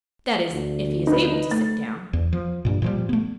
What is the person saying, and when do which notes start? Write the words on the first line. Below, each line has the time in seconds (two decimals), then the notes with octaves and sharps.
That is, if he is able to sit down.
0.51 D2
1.07 D#4 B4
1.51 A3 A6
2.13 E2
2.33 F3
2.65 G2 A#2
2.82 A#2 F3 G3
3.09 A3 B3